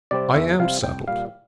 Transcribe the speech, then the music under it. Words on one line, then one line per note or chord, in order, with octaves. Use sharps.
'I am settled.
C3 G3 C4 D5
E2 E5
C3 G3 C4 F5
C2 G5
A#2 G3 F5